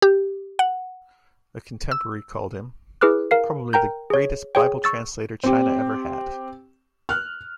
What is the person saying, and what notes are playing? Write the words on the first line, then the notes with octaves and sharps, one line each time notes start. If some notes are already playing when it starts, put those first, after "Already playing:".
A contemporary called him "Probably the greatest Bible translator China ever had".
G4
F#5
E6
E4 G#4 B4 D6 F6 F#6
A#4 F5 C7
A#4 G5 A#5 G6
G#4 C#5
G#4 C#5 G5
C#6 E6 A6
C4 G4
F6 F#6